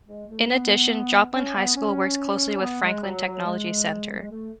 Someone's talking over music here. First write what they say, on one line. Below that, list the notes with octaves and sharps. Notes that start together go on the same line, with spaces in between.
In addition, Joplin High School works closely with Franklin Technology Center.
G#3
A3
B3
C#4
B3
C#4
C#4
B3
G#3
F#3
F#3
G#3
G#3
A3